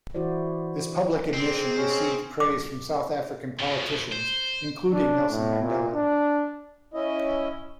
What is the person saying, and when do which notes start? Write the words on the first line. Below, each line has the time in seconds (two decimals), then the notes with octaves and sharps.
This public admission received praise from South African politicians, including Nelson Mandela.
0.15 E3 E4 F#4 C5 D5
1.33 G#2 G#3 C4
1.77 C#4
2.40 D6
3.59 B2 F3
4.12 C5
4.93 D4
5.30 A2
5.63 A#2
5.94 D4
6.94 C#4 E4 D#5